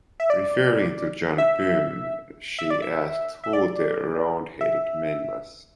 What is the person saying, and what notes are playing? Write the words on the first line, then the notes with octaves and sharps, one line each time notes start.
Referring to John Pym, she asked who the roundheaded man was.
E5
D5
E5
E5
D5
E5
E5
D5
E5